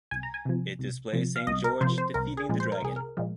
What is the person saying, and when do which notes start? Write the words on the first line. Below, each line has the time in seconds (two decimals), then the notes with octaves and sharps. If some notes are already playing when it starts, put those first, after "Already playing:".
It displays Saint George defeating the Dragon.
0.11 C2 G#5
0.23 A#5
0.34 G#5
0.45 C3 F3
0.79 C2
1.13 C3 F3
1.36 F5
1.47 C2 D#5
1.64 A#4
1.81 C3 F3 C5
1.98 C5
2.14 C2 A#4
2.37 G#4
2.49 A#2 F3 G#3
2.60 C5
2.72 A#4
2.82 C2 G#4
2.96 A#4
3.17 A#2 F3 G#3